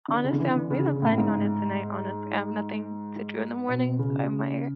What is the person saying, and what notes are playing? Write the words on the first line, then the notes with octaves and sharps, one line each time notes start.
honestly, I'm really planning on it tonight, honestly, I have nothing to do in the morning, so I might
D3
C#3
D3
E3
D3
C#3
C#3
A2
G#2
B2
C#3